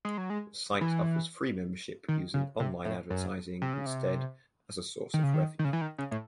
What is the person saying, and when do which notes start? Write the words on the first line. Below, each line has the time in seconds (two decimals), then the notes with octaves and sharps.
The site offers free membership, using online advertising instead as a source of revenue.
0.05 G#3
0.18 F#3
0.30 G#3
0.81 E3
2.08 D#3
2.34 C#3
2.60 C3
2.85 A2
3.10 F#2
3.62 C3
3.74 C#3
3.86 C3
5.14 D#3
5.23 C#3
5.34 D#3
5.59 D#3
5.65 C#3
5.73 E3
5.81 D#3
5.98 C#3
6.11 A2